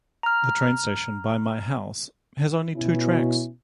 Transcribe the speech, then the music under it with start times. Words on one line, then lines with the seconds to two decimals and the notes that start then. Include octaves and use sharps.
The train station by my house has only two tracks.
0.23 A#5 F6
2.76 B2 C#4 E4